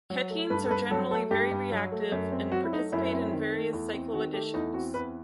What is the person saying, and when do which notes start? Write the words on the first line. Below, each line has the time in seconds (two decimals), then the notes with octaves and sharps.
Ketenes are generally very reactive, and participate in various cycloadditions.
0.10 F#3
0.30 A3
0.50 G2 B4
0.65 A4
0.70 G2 B4
0.91 F#3 A4
1.11 A3 A4
1.31 G2 G4
1.51 G2
1.72 F#3
1.92 A3
2.12 F#2
2.32 C4
2.52 F#3 F#4
2.64 E4
2.73 A3 D#4
2.92 F#2 E4
3.13 C4
3.32 D#3
3.54 A3
3.73 E2
3.93 C4
4.13 D#3 F#4
4.33 A3 G4
4.54 E2 D#4
4.74 C4 F#4
4.94 E2 B4